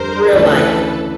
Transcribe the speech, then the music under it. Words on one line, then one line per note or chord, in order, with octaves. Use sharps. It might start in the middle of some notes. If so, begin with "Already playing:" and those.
Real life.
Already playing: F2 D3 G3 C4 A#4 C5
D2 C#3 E3 A3 A4 B4